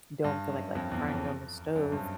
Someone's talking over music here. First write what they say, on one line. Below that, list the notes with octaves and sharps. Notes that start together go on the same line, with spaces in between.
don't feel like, like, frying it on the stove,
G2
F#2
F2
E2
F2
F#2
G2